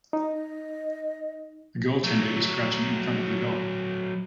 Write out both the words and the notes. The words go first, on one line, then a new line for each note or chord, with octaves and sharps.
The goaltender is crouching in front of the goal.
D#4 D#5
F#3 A3